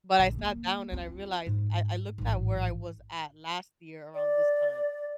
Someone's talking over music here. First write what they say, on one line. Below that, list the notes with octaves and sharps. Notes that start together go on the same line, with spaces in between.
But, I sat down and I realized I I looked at where I was at last year around this time
A#1 D3
A#3
C4 F4
G#2
A1 G#2
D5